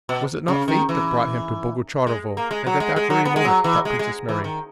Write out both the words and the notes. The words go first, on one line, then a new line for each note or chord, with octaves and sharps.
"Was it not fate that brought him to Bogucharovo, and at that very moment?" thought Princess Mary.
B2
C#3
D#3
E3
G#3
A#3
G#3
F#3
G#3
G#3
F#3
B3
G#3
F#3
E3
G#3
G#3
E3
D#3